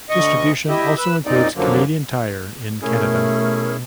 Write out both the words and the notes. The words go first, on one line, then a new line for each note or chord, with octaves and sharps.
Distribution also includes Canadian Tire in Canada.
D2 D#5 C#6
E4 G4 D#5 E5
B4 E6
F#2 A#2 C4 D#4 D5
F#2 D3 F3 F#3 A#3
B2 A3 C#4 E4 G#4 A#4